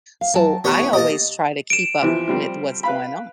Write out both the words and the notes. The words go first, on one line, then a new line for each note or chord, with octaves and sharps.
so, I always try to keep up with what's going on.
F5
F#3 G5 A5
B3 G4 C#5
D2 E4
A#3 G4 D#5 A5
D7 E7
C3 E3 F3
F3 G3 C4
B4 F5 B5